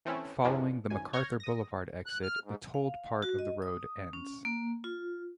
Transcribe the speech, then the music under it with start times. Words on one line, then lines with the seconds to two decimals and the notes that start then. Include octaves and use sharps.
Following the MacArthur Boulevard exit, the tolled part of the road ends.
0.05 E3 A3 C4 C#4 E4
0.44 F#2 B2 D3 E3 F3 G#3
0.90 G#1 F#2 G#5
1.13 C#5 C#6 F6 G6 G#6 A#6
1.40 D#6 A#6
2.06 F#6
2.23 F6
2.44 G#2
2.74 F5
3.22 F#4
3.39 D#5
3.62 D#6
4.13 C#4
4.45 A#3
4.84 F4